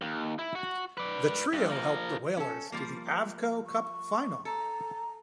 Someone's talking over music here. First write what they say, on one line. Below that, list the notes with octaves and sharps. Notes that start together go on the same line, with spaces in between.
The trio helped the Whalers to the Avco Cup final.
D#2
E4
F#4
B4 D5
G2
F3 A#4
C#4 A4
F3 G3 A#3
C#6
A4 A#5